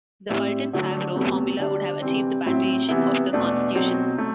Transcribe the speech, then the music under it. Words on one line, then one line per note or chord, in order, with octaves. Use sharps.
The Fulton-Favreau formula would have achieved the patriation of the Constitution.
A2 G3 C4 E4
D3 F#3 A3 D4
E2 C3 F#3 A3
D3 G3 D4
C3 E3 G3 C4
A2 F#3 C4 E4
C3 E3 B3 E4
E2 B2 A3 D4
B2 F#3 C4
A3